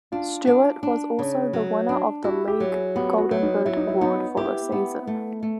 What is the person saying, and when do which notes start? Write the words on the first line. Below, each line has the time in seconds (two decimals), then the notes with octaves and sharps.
Stuart was also the winner of the league Golden Boot award for the season.
0.12 D4 F4
0.47 D4
0.83 D4
1.19 C#3
1.53 F#3
1.89 D4
2.24 E4 F#4
2.48 G4
2.60 F#3
2.72 G#4
2.95 B3 G4
3.18 F#4
3.31 F#3
3.43 D#4
3.65 F#3 E4
3.77 D#4
3.87 E4
4.01 B3 D#4
4.36 E4 G4
4.72 B3
5.07 A3
5.43 A3